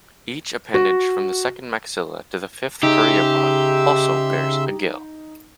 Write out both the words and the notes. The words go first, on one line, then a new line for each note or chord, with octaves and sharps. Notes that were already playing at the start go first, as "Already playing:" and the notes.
Each appendage from the second maxilla to the fifth pereiopod also bears a gill.
F#4
C#3 D#4 G4 E5 C6 E6